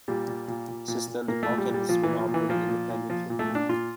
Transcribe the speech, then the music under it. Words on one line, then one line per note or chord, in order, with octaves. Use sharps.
Since then, the park has been operating independently.
A#2 G3
A#2
A#2
A#2
A#2
A#2
A#2 A#3
A3
A#2
G3
A#2
G3
A#2 F3
A#2 E3
F3
A#2
E3
A#2 F3
A#2
A#2
A#2 F3
A#2
A3
A#2
D4
A#2 F4